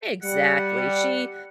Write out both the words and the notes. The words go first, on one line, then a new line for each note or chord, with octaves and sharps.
Exactly. She,
G3 F#5